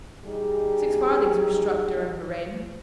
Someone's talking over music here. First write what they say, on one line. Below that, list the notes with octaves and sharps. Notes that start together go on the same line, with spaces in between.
Six farthings were struck during her reign.
G3 D#4 G#4